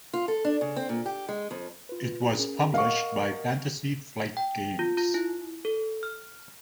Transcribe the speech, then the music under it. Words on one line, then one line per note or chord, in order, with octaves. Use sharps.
It was published by Fantasy Flight Games.
F4
A4
D4
C#3
C4
A#2
G4
G#3
F2
F4 B4
C#4 G#4 A#4
A#4 D#5 F5 F#5 C#6
G5
F4
F4
E4
A4
F6